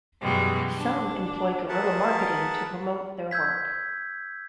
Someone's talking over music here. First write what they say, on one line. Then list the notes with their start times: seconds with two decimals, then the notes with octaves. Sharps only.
Some employ guerrilla marketing to promote their work.
0.22 F#2 B2 E3 G3 G#3
0.78 D4
1.69 G#4 A#4 B4 E5 F#5 A5
3.31 E6 G6 G#6 B6